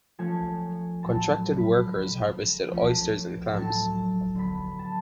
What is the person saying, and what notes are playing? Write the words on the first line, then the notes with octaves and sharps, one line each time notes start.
Contracted workers harvested oysters and clams.
F3 A3 C#4 G#5
A2 F#3 B3 A5
B5
D3 G#3 C#4
F3 A3 C#4
A2 F#3 A3 A5
D3 F#3 B3 B5
A5